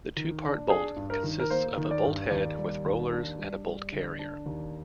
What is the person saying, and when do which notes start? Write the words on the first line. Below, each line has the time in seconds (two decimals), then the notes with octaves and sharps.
The two-part bolt consists of a bolt head with rollers and a bolt carrier.
0.16 D#3
0.43 D4
0.70 D4 G#4
0.96 G2
1.10 A#4
1.23 D#3
1.40 A#4
1.50 A#3 C5
1.77 D#3
1.91 D5
2.05 G2
2.31 D#2 D5
2.58 G3
2.84 D#2
3.12 D4
3.38 G3
3.65 G3
3.92 D3
4.19 D4
4.46 D#2